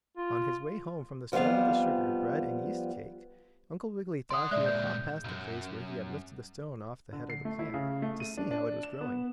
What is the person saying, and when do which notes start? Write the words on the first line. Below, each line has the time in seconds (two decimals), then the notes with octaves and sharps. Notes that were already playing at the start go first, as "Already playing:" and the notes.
On his way home from the store with the sugar, bread and yeast cake, Uncle Wiggily thought he would hop past the place where he had lifted the stone off the head of the plant, to see how it was growing.
0.17 F4
1.32 F2 F3 G3 B3 F5
4.30 D5 F#5 C6 D#6
4.51 A#2 G#3 D5 E5 F#6
4.66 G6
5.24 B1 F#2
7.13 D3
7.30 C7
7.45 A3
7.59 E4
7.74 C#3
8.02 A3
8.20 D#7
8.37 D4
8.51 D4
8.83 E7
9.01 B3